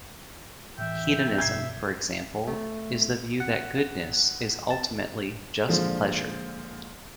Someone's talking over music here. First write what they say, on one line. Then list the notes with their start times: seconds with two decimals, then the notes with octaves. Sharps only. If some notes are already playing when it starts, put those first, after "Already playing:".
Hedonism, for example, is the view that goodness is ultimately just pleasure.
0.78 A2 E3 E5 G5
1.38 C2 G2 B2 G6 G#6 C7
2.47 A3
3.40 F#5
4.70 A5
5.68 A#2 D3 F3 G#3